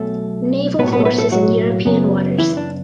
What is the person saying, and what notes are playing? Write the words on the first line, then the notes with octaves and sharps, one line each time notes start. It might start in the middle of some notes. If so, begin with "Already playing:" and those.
Naval Forces in European Waters.
Already playing: B1 B2 A3 A4
B1 A2 F#3 B3 B4
C#5
B3 B4
A4
B3 B4
A3 A4
F#3 F#4
F#2 C#3 F#3 B3
E3 E4
D4